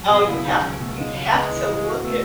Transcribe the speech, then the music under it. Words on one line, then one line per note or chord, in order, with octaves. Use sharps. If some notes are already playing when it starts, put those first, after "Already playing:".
Oh, you have to you have to look it
Already playing: F#3
B2 G#4
C#2 E4
C#2 D#4
F#3 C#4
B2 A3
C#2 G#3
C#2 F#3
G#3 B3
E3
A2
F#4
A3 B3